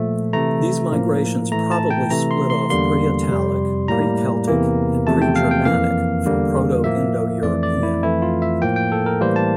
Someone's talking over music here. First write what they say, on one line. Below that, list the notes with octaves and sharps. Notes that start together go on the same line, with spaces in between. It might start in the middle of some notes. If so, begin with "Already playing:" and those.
These migrations probably split off Pre-Italic, Pre-Celtic and Pre-Germanic from Proto-Indo-European.
Already playing: A#2 F3 A3 E5
C3 E3 A3 A#5
A2 F3 A#3
A2 E3 A3 A#5
A5
G5
C3 E3 A3 A#5
C6
C6
E2 D3 G3 A#3 C6
F2 C3 G3
A2 G3 A#3 A#5
E2 C3 E3 A#3
E2 C3 F3 A3 A5
G5
F5
G5
F2 E3 A#3 F5
E2 D3 G3 A#3
A2 F3 A#3 E5
F2 E3 A3 D5
D5
E4
F2 E3 A3 E4
F4
E5
A2 F3 A#3 G5
G5
A4
A#4
A2 E3 G3 A#3 C5
A5